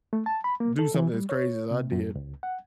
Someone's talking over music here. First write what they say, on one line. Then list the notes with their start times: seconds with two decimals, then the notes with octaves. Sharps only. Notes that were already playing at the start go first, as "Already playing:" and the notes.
do something as crazy as I did,
0.13 A3
0.26 A5
0.44 B5
0.60 A#3
0.79 A4
0.94 E3
1.13 G3
1.29 C#5
1.71 C3
1.92 F#2
2.15 C#2
2.43 F#5